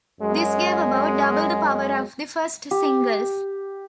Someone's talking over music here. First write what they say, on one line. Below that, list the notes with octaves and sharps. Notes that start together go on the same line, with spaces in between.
This gave about double the power of the first singles.
F#2 F#3 G#3
G4